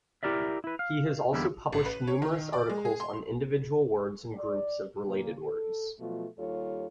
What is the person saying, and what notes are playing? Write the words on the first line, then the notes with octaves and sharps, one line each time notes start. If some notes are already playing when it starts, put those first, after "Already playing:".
He has also published numerous articles on individual words and groups of related words.
E4 G4 A#4 D5 E5
E4 B4
F5
E2 D3 G3 A#3 E4
A1
B4
C#5
D#3
D5
G#3
G#4
C6
D5
A#2 C#3 A#3
A4
B2 F3 F#3 A3 F4
D#2 G3 F4 A4 C#5